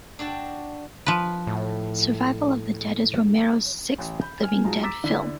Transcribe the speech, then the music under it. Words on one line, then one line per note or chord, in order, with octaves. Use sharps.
"Survival of the Dead" is Romero's sixth "Living Dead" film.
D4 F#4 G5 A5
F3 B4
A2
A1
B5 G6
G#5 F6
G#2 F#3 G#3 F4 A5 A#5
A#5 D6 E6 A6 B6 E7
D3 E4 B6